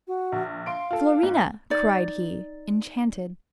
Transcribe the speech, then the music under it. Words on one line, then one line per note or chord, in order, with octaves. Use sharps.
"Florina!" cried he, enchanted.
F#4
A#1
F5 C6 D7
F4 A4
G#2
D#4 D5